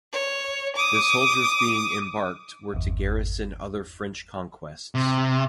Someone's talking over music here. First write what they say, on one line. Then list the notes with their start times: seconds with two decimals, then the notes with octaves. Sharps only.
The soldiers being embarked were to garrison other French conquests.
0.12 C#5
0.76 D6 D#6
2.73 G1 E2
4.95 C3